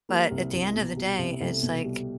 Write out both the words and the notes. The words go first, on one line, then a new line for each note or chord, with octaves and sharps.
but at the end of the day, it's like,
G3 A#3
C2
C2
B2
G3
C2
C2 A3
B2
G3